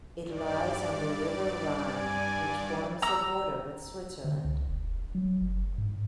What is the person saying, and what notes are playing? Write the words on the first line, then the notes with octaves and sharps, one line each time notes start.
It lies on the River Rhine, which forms the border with Switzerland.
G2 D5
G#5
A#5 E6
D3
C#2
E1
F#3
F#1
G#2